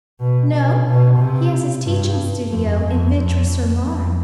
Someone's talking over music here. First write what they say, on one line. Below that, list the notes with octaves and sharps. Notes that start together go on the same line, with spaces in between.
'No; he has his teaching studio in Vitry-sur-Marne.
B2
B2
B2
C3
G2
F2
F2
F2
F2
F2